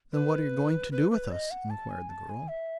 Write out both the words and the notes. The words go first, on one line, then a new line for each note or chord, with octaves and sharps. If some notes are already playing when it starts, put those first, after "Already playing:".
"Then what are you going to do with us?" inquired the girl.
B4
B4
B4
D#5
F#5
A5
G#5
A5
G#5
E5